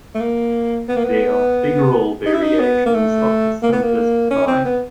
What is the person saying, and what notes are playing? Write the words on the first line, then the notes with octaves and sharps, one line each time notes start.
They are figural variations of the simplest kind.
A3
A#3
B3
A#3
B3
D#4
E4
D#4
B3
A#3
A3
A#3
B3
A#3
C#4
C4
B3